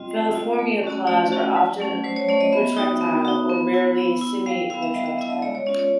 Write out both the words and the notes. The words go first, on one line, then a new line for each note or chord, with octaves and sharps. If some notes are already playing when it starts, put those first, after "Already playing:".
Feliformia claws are often retractile, or rarely, semiretractile.
Already playing: G3 C4 F4 D#5
G3
C4 F4
A3
C#4 F#4
A3 D5
C#4 F#4
F#3
A3 C#4
F#3 C5
C#5
A3 C#4 D5
D#5
B3 E5
D#4 F#4
B3
D#4 F#4
B3
E4
B3
E4
G3 F5
B3 E4 F5
E5
G3 D#5
E5
B3 E4 E5
D#5
G#3 D5
C#5
C#4 F4 D5
C#5